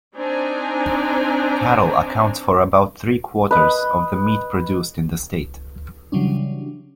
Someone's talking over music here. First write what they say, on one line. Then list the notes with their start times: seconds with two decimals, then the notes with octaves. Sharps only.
Cattle accounts for about three quarters of the meat produced in the state.
0.15 C4 D4 D#4 G#5 A#5
3.51 B4 D#5
6.12 C#3 E3 F#3 G3 C#4 D4